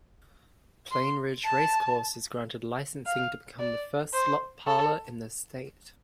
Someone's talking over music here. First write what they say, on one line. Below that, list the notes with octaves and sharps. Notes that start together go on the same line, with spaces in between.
Plainridge Racecourse is granted licensing to become the first slot parlor in the state.
C6
A5
F5
D5
C5
A4